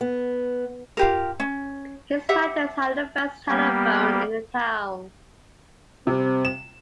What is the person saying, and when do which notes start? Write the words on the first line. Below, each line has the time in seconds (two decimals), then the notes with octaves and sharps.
His practice had the first telephone in the town.
0.01 B3
0.97 F4 G4 A#4
1.40 C#4
2.29 G4 E5 F#5
3.48 G3 A#3 B3 G4
6.07 C3 G3 C4
6.45 E7